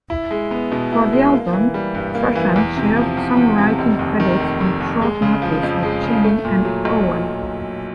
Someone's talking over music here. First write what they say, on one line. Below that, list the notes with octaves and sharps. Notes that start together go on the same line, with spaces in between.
For the album, Strachan shared songwriting credits on "Short Notice" with Cheney and Owen.
E4
G#3
B3
B2
E4
G#3
A#3
E3
G3
G2
A#3
E3
E2
C3
F3
E2
E2
C3
F1
D#2
D#3
F1
F1
D#2
G#3
C#3
F3
F2
G#3
C#3
A3
A#2
F#3
B1